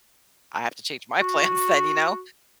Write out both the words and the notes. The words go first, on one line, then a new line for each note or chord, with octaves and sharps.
I have to change my plans then, you know?
F#4